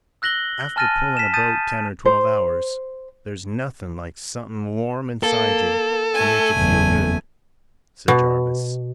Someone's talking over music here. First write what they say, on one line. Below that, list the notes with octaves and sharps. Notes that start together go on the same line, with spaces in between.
"After pullin' a boat ten or twelve hours there's nothin' like somethin' warm inside you to make you feel good," said Jarvis.
E6 F#6 A#6 F#7 G7
G#5 A5 F6 A6 A#6 D#7
B6 E7
A5 D#6 G6 A6 D#7
C5
A#3 A4
A3 G#5
F#1 E2
B2